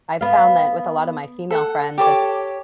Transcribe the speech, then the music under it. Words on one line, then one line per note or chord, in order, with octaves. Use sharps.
I've found that with a lot of my female friends, it's
B3 F5
A4 F#5
G4 A4 C#5 D6